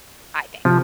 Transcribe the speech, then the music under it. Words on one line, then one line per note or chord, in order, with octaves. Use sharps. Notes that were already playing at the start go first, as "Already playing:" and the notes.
I think.
C3 F3